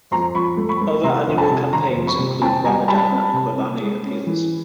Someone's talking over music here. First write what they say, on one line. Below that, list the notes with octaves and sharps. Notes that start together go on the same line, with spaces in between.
Other annual campaigns include Ramadan and Qurbani appeals.
F2 A#5 C6
F3 B5 C#6
A3
B5 C#6
A3
C3 A#5 C6
F2
A5 B5
C3
D#3 A#5 C6
F2
B5 C#6
C3
C4 G5 A5
G3 G#5 A#5
G3 A5 B5
C4
C3
C4
G#3
C#4
E3